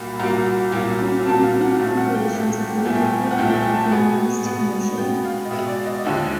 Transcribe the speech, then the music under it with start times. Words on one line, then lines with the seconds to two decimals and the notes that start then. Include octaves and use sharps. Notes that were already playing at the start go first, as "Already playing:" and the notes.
Only three compilations of Grainer's output have been released commercially.
Already playing: C2 A#2 F#3 A#3 B5
0.19 C2 A#2 F#3 A#3 A#5
0.72 C2 A#2 F#3 A#3
1.26 C2 A#2 F#3 A#3 A5
1.43 F5
1.61 F#5
1.79 C2 A#2 F3 A3 F5
1.97 F#5
2.15 G5
2.32 C2 A#2 F3 A3
2.85 C2 A#2 F3 A3 G#5
2.95 G5
3.04 G#5
3.31 F#5
3.38 C2 A#2 F3 A3 G5
3.50 G5
3.56 G#5
3.73 A5
3.91 B2 G#3 B3 G#5
4.44 B2 G#3 B3
4.97 B2 G#3 B3 G5
5.25 F5
5.45 D#5
5.50 B2 G#3 B3 E5
5.68 D5
5.86 D#5
6.05 D#2 D3 F3 G#3 E5